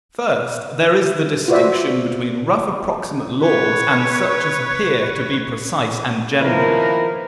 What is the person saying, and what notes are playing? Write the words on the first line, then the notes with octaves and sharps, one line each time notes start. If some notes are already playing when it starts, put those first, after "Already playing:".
First, there is the distinction between rough approximate laws and such as appear to be precise and general.
F4 F#4 B4 C5 D5 E5
B4 C#5
D#3 F3 A#3 E4 A#4 B4